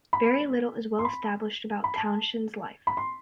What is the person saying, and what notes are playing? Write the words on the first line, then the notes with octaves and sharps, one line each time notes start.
Very little is well established about Townshend's life.
B5
C6
B5
B5
A5
B5
C6